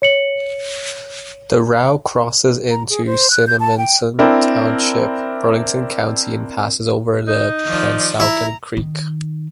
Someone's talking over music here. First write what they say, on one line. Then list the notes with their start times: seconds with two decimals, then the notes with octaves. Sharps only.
The route crosses into Cinnaminson Township, Burlington County and passes over the Pennsauken Creek.
0.02 C#5 C#7 F#7
2.71 A#5
2.90 G#4
3.06 C5
3.31 F#6
3.47 G6
3.60 A5
3.78 G5
4.19 C4 D4 E4 A#4
7.27 D#4
7.65 D#3 F3 D5
8.20 E4 A#5
8.77 D#3